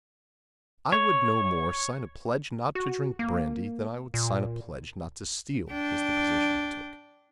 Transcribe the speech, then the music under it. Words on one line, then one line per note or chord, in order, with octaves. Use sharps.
"I would no more sign a pledge not to drink brandy than I would sign a pledge not to steal," was the position he took.
C#5
F#4
A#3
A#2
D4 G5